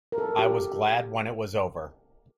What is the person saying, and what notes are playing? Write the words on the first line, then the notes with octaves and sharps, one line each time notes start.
I was glad when it was over.
A#4
A4
G4